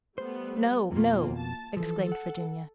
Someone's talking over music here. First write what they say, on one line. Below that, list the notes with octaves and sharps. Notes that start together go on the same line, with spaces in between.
"No, no!" exclaimed Virginia.
G3 A3 B3 C5
F2 B2 A#3 F4
A5
E3 F3 A4
F#5